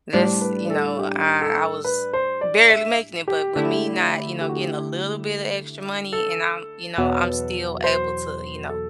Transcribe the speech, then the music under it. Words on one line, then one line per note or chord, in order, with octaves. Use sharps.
this you know, I I was barely making it, but with me not, you know, getting a little bit of extra money, and I'm, you know, I'm still able to, you know,
A2 G3 D4 C5
B4
A4
G4
A4
B4
C5
D5
E5
G4
D3 A3 E4
G4
F#4
G4
A4
E2 B2 F#3 B3
C5
A4